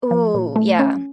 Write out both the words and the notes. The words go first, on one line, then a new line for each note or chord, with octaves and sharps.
Ooh, yeah.
F3
A#2
A3
C#4